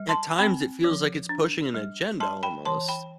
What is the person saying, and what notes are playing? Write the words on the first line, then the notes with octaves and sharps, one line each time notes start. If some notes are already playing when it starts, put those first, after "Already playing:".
at times, it feels like it's pushing an agenda almost.
Already playing: G3
A5 C6
C4 G5 B5
F3
D4
G3
G3 A5 C6
G5 B5
E3 A5 C6
G5 B5